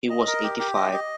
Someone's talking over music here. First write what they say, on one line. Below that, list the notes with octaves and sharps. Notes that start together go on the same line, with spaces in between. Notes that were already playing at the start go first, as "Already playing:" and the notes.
He was eighty-five.
D#5
A#4
G4
G4
D#5
D#5